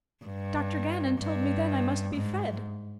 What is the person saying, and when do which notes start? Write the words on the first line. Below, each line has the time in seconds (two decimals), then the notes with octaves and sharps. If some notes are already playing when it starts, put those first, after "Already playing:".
Dr. Gannon told me then I must be fed.
0.25 G2
1.20 G2
2.15 G#2